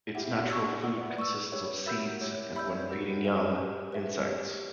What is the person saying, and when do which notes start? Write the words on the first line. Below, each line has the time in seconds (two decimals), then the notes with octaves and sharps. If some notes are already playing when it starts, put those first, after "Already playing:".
Its natural food consists of seeds and when feeding young, insects.
0.15 E4 G4 F#5
0.38 D4 F#4
0.50 C#6 E6
0.83 D5 F#5
0.91 E5
0.98 B4 D5
1.18 C#6 E6
1.52 G4 B4 C#5
1.86 F#4 A#4 E5 B5 E6 G6
2.21 E4 G4 C#5
2.56 D5 E5 B5 E6 G6
2.69 C#5
2.79 B4
2.89 F#4 G4 A#4
3.24 B4 E5
3.58 G4
3.92 B4 E5
4.27 G4